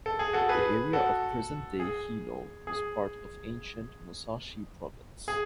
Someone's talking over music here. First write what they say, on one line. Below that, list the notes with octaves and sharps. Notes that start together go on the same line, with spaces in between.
The area of present-day Hino was part of ancient Musashi Province.
A4
G#4
F#4 A4
G#4 B4
F#4 A4
G#4
G#4
G#4